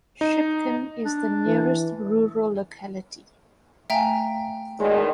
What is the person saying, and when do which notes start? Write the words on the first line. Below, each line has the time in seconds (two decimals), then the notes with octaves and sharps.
Shchepkin is the nearest rural locality.
0.21 D#4
1.05 D4
1.47 E3
3.90 A3 E5 F5 G5 G#5 A#5
4.80 E2 B2 D#3 G#3 C#5 D5